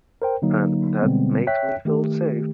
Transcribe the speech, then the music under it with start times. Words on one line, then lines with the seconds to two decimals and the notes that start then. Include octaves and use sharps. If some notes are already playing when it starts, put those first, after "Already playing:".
And that makes me feel safe.
0.22 A#4 C5 G5
0.42 D3 F#3 A#3 D#4
1.02 B2 D3 G3 G#3 B3 C4
1.47 C#5 E5 G5 F#6 B6
1.85 D#3 A3 G4